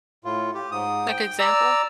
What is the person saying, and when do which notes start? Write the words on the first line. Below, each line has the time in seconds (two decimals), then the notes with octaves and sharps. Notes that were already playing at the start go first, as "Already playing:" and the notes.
Like, example?
0.25 A2 F4
0.54 G4
0.72 G#2 D#6
1.09 G5
1.39 D5 A#5 E6